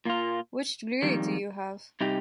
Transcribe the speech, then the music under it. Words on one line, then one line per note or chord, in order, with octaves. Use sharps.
Which degree do you have?
A#2 A#3 F4
F2 D#3 G3
C3 G3 D#4 G4